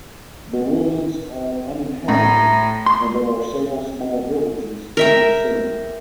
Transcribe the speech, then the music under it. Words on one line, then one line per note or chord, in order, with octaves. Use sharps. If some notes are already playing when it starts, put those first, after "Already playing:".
The ruins are uninhabited and there are several small villages in the vicinity.
A2 A#5
C6
A#4 E5 G5